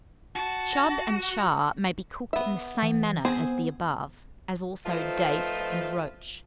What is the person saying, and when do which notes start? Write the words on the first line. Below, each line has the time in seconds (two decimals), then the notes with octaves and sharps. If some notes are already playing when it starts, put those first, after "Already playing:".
Chub and Char may be cooked in the same manner as the above, as also Dace and Roach.
0.36 F#4 A5
2.33 B3 E5
2.82 E3
3.25 B3 C4 G#4 C5
4.86 F3 A3 D#4 F4 B4 C5